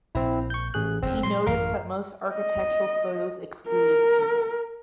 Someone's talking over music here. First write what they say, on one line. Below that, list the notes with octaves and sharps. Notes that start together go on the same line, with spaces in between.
He noticed that most architectural photos excluded people.
A#1 C4 E4
C#6 G6
A1 G#4 F#6
F#1 E2 C4
A#2 F#3 C6
A1 F#2 E3 A#4 F5
D#5
A#4